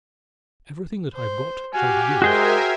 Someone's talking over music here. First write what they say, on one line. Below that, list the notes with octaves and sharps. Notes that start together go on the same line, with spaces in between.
Everything that I've got shall be yours.
C5
F#4 G4 F5 G#5
G#3 F#4 G#4 A#4 C5 E5 G5 G#5